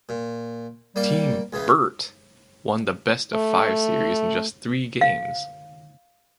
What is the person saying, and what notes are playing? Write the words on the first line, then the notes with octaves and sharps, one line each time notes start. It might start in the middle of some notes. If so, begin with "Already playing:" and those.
Team Birt won the best of five series in just three games.
A#2
G3 A#3 D5
C#2 C#3 E3
A3
F5